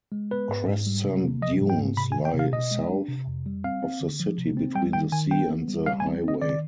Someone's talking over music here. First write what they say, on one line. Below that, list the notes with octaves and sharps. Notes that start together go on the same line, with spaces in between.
Crescent dunes lie south of the city, between the sea and the highway.
G#3
B3 B4
G#2
G#2
G3
C3
C3
F3 D#5
G#2
G5
G#2
C3 B5
G#5
D#3
G5
C3 F5
B2 D#5
G#3
D4
C3
F2
G3
C4 F5
C4
D3
F3
C3
C4
G3 G5
D#3 G5
D#3 G#5
B3 G5
B3
G3
G3 F5
G#5
C4
C4 D#5
D#3 D5